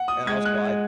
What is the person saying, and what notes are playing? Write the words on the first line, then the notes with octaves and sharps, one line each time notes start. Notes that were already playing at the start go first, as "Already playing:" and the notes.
And also I
Already playing: F#5
D#6
G#3 G#6
F#6